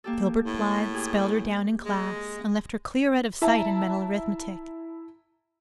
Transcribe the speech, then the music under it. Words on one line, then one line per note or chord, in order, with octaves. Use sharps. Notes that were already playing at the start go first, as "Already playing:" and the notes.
Gilbert Blythe spelled her down in class and left her clear out of sight in mental arithmetic.
A#3 G4 A4
A2
G4 G#4
G#3
E4 E5 A5 A#5